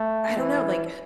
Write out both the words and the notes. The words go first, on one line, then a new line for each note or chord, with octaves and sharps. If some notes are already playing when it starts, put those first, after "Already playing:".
I don't know, like
Already playing: A3
E3